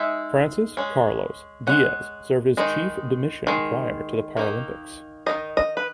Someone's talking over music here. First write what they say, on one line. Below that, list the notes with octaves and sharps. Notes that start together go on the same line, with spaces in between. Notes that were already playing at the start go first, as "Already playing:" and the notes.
Francis Carlos Diaz served as chef de mission prior to the Paralympics.
Already playing: G#3 D#4 E5
G#3 C#4
G#3 C#4 F#5
D#3 G#3 D#4
D#3 G#3
D#3 A#3 D#4
D#3 A#3 D#4 D#5
D#5
B4